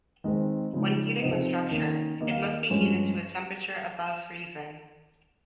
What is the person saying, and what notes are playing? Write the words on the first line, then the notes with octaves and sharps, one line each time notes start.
When heating the structure, it must be heated to a temperature above freezing.
D#3 G#3 C4 D#5
C#3 F3 G#3 D#4
C3 F3 C4 D#4 D#5
D#3 A#3 C#4
D#3 A#3 D#4 D#5
F5
D#5
G2 F3 G#3 C#4